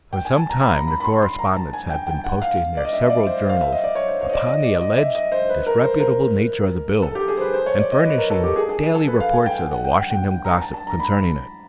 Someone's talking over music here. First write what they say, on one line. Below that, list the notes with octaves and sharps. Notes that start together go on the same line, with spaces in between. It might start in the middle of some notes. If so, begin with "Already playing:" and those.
For some time the correspondents had been posting their several journals upon the alleged disreputable nature of the bill, and furnishing daily reports of the Washington gossip concerning it.
G5
G#5
A5
A#5
B5
A#5
B5
B5
C6
C6
A#5
A5
G#5
G5
G5
F#5
F5
D5
D#5
E5
D5
C5
F5
E5
D#5
D5
C#5
C5
C#5
D#5
D5
D#5
D5
D#5
E5
D#5
C5
B4
A#4
C5
A#4
A4
G4
G#4
C5
B4
C5
C#5
D5
D#5
B4
A#4
A4
G4
G#4
G#4
G#4
A4
B4
F5
G#5
G5
F#5
F#5
G5
G5
G5
G5
A#5
A5
A5
A#5
B5